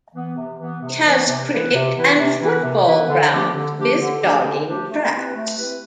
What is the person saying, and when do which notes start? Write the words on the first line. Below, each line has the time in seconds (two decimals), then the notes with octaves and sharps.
It has cricket and football grounds with jogging tracks.
0.14 E3 B3
0.36 C3
0.60 E3 B3
0.82 C3
1.05 E3 B3
1.27 C3
1.50 E3 B3 E4 B4
1.73 C3
1.95 E3 B3 E4 B4
2.18 C3
2.40 E3 B3 E4 B4
2.63 C3
2.86 E3 B3 E4 B4
3.08 D3
3.31 F3 A3 D4 G4
3.53 D3
3.77 F3 A3 D4 G4
3.99 D3
4.22 F3 A3 D4 G4
4.44 D3
4.66 F3 A3 D4 G4
4.90 A3
5.12 C4 E4 G4 B4
5.35 A3
5.57 C4 E4 G4 B4